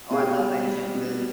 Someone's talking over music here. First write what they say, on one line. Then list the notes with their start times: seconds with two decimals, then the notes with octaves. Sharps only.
Oh, I love Asian food.
0.11 B2 G#4
0.18 G4
0.39 G3
0.67 G3
0.94 B2